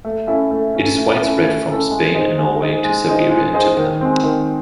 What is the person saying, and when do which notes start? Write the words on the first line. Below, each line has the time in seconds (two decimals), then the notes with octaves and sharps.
It is widespread from Spain and Norway to Siberia and Japan.
0.05 A3
0.27 C#4 E4 A4
0.51 A3
0.75 C#4 E4 A4
0.98 A3
1.21 C#4 E4 A4
1.44 A3
1.68 C#4 E4 A4
1.91 G#3
2.15 D#4 G#4 C5 D#5
2.38 G#3
2.61 D#4 G#4 C5 D#5
2.84 G#3
3.08 D#4 G#4 C5 D#5
3.31 G#3
3.54 D#4 G#4 C5 D#5
3.77 D#3
4.01 G#3 C4
4.23 D#3